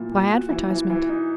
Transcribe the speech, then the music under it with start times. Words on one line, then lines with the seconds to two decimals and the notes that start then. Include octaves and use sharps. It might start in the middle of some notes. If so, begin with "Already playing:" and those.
"By advertisement."
Already playing: A#2 F#3 A#3 E4
0.12 A#2
0.31 F#4
0.50 E3
0.69 E3
0.90 E3
1.09 D#4